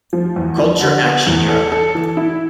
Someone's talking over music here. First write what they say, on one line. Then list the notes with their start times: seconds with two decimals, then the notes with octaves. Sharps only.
Culture Action Europe.
0.13 F3
0.36 E2
0.58 F3
0.81 D3
1.04 B3
1.27 E2
1.49 A4
1.72 A4
1.95 E3
2.17 E4